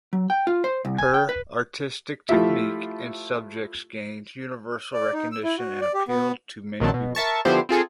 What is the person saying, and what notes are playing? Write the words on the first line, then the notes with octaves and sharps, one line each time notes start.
Her artistic technique and subjects gained universal recognition and appealed to many people.
F#3
G5
F4
C5
C2
G#5
G5
B4
F3 A3 E4 F4 G4 E5
D5
D#4
E6
E4
F#4
D5
G4
B3
A#1 D#3 F#3 C4 A5
B2
A#4 E5 A5 C#6
D3 F3 B3 E4 G4 C5
C4 F4 G#4 A4